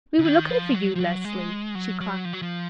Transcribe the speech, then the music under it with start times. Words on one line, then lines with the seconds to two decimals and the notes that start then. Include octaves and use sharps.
"We were looking for you, Leslie," she cried.
0.19 C#3
0.25 D#3
0.50 F3
0.74 F#3
0.95 F3
1.00 F#3
1.24 G#3
1.75 F#3
2.01 F#3
2.25 F3
2.33 F#3
2.42 F3